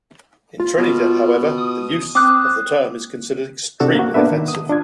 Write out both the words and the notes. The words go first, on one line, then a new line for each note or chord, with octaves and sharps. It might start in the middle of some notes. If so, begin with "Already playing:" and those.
In Trinidad, however, use of the term is considered extremely offensive.
F4
B2
D#6
C4 D6 D#6 F#6
C3 D4 F#4 A4 E6
A#3 F#4
A#3 B3 D4 B4 E5
D#3
D#6
D4 F4 G#6